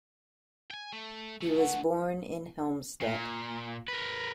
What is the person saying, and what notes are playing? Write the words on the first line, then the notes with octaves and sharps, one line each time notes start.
He was born in Helmstedt.
G5 G#5
A3
C#3 A3
F#5
A#2
A#4 B4